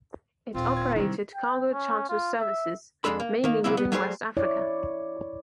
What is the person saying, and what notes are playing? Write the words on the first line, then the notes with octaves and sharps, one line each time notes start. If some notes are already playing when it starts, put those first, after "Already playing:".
It operated cargo charter services mainly within West Africa.
D#1 C4 F4
G#6
C3 D#3 E3 G3 C4
G5
C#4
F4
E5
F2 C#3 G#3 D4 A4 B5
A#3
D#3 A#3
C#3 F#3 A#3 C4 E4
B3
F#3 G3 A3 G#4 B4 C5
E4 C#5 D5